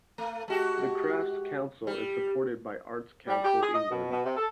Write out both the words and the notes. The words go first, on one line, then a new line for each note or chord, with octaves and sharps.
The Crafts Council is supported by Arts Council England.
A3
G#3 F#4 G4
G3
G3
G4
G#4
D#5
B2
B2
C3
A4